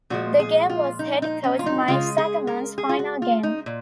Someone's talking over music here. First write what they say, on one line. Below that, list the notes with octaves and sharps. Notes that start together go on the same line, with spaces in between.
The game was Head Coach Mike Zuckerman's final game.
A#2 F3 G#3 F#4
G#4
F4
D#4
D#4
C#4
F4
D#4
C#3 G#3 F4
G#4
A#4
G#4
F4
F#4
F4
D#4
A#2